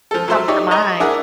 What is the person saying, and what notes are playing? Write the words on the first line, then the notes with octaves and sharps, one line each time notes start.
comes to mind.
F3 A4
F#3 A3 C5 E5
D#4 G4 C#5 D5
D#5 A#5 C#6
D4 E4 G#4 A#4 D5 F#5